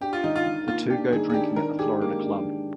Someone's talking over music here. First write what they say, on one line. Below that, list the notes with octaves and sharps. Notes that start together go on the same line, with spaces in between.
The two go drinking at the Florida Club.
D4 G4
F4
D#3 D#4
F4
D#3
A#3 F4
D4 G4
D#3 G#4
G#4
D4 G4
D#3 A#4
G4 G#4
G#3 A#3
D4
D#3